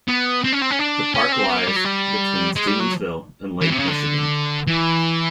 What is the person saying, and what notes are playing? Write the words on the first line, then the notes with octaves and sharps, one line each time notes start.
The park lies between Stevensville and Lake Michigan.
B3
C4
C#4
C4
C#4
D4
C#4
C4
B3
A#3
G3
F#3
G3
G#3
G3
F#3
E3
C3
C#3
D3
E3